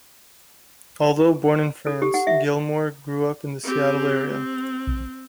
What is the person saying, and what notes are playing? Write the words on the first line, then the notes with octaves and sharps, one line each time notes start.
Although born in France, Gilmore grew up in the Seattle area.
A4
G4
F#5
E5
C4 G4
C4